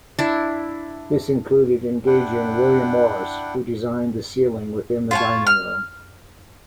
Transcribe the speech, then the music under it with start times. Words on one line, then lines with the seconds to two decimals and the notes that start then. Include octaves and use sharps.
This included engaging William Morris, who designed the ceiling within the dining room.
0.19 D4 E4
2.07 D4 E4 F#5 G5
5.11 F4 C#5 A5
5.47 F6